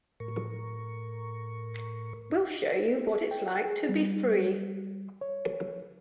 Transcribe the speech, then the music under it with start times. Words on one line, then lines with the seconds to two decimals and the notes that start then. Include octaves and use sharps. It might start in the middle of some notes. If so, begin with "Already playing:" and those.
We'll show you what it's like to be free.
0.20 A2 A#4 C#6
3.31 G5
3.65 G#4
3.89 G3
5.21 C#5